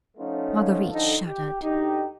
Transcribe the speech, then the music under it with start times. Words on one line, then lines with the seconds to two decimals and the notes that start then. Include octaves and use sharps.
Marguerite shuddered.
0.17 F3 A3 B3 C#4 D#4 F4
0.91 D3 D#3 F3 D#4 A4
1.26 G4
1.62 D2 D#4 G4